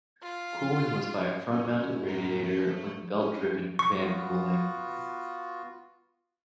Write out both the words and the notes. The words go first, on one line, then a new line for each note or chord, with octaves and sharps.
Cooling was by a front-mounted radiator, with belt-driven fan cooling.
F4
F#2 C#4
A2 B3 A#5
A3
C#4
C#6
B3 F4 F#4